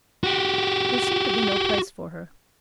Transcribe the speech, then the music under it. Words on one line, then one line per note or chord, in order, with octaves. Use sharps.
There seemed to be no place for her.
F#4 G4